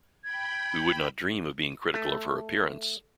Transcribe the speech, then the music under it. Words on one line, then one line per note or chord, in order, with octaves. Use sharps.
We would not dream of being critical of her appearance.
G5 B5 G#6
A3